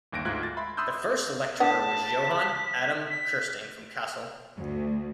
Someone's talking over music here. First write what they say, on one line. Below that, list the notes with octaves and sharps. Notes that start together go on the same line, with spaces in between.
The first lecturer was Johann Adam Kersting from Kassel.
G1 D#2 A#6 D7
D2 G#2 F4 F#6 G#6
A6
E5 B5 C6
B5 C6 D#6 E6 F#6 G6
B3 D4 F#5 A5 B6
B6
D2